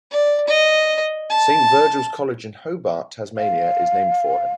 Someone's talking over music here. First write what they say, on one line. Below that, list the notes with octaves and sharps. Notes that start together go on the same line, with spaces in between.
Saint Virgil's College in Hobart, Tasmania is named for him.
D5
D#5
A5
F5